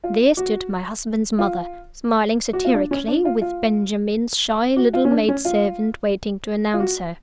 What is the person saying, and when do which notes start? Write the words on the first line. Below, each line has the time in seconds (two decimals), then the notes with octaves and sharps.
There stood my husband's mother, smiling satirically, with Benjamin's shy little maid-servant waiting to announce her.
0.04 F4
0.37 F#4
1.39 F4
2.53 F#4
2.65 F4
2.74 D4
2.91 C#4
3.08 D4
3.25 F4
3.41 F4
4.77 F#4
4.93 F4
5.05 C#4
5.11 D4
5.28 C#4
5.45 F4
6.74 F4
6.80 F#4